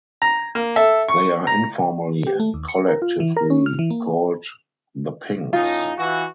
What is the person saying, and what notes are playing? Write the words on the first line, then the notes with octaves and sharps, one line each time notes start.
They are informally and collectively called the "Pings".
A#5
A#3
A4 E5
C#6
A#5
G4
A3
D#2
C#7
A#4
F4
E3
A#4
C#4
F6
E3
A#3
A2 C#4 D#4 F4
E3 F#4